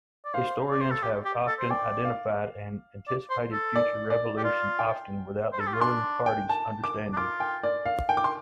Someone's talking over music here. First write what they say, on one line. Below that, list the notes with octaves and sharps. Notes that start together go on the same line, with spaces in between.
Historians have often identified an anticipated future revolution, often without the ruling party's understanding.
D5
C5 F5
D5
C5
A4
G4
G4
A4
C5
D5 G5
F5
D5
C5
A4
D5
D5
G4
F4 D5
G5
C5
A4
G4
F4
D4 C6
G5
A5
D6
D4
F4 D6
G5
D5
F5
G5
D6
C6